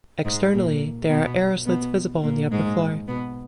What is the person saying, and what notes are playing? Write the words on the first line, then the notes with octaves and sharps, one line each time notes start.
Externally there are arrowslits visible on the upper floor.
G#2 G#3
A#2 A#3
B2 B3
B2 B3
A#2 A#3
G#2 G#3
B2 B3